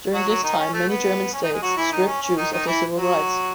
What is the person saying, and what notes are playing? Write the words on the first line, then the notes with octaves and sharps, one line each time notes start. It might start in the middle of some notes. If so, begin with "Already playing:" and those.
During this time, many German states stripped Jews of their civil rights.
F#3 F#4
F#3 F#4
D#3 D#4
C#4
A3
B3
C#4
D#3 D#4
G#3 G#4
F#3 F#4
E3 E4
D#3 D#4
C#4
C#4
D#3 D#4
D#3 D#4
E3 E4
F#3 F#4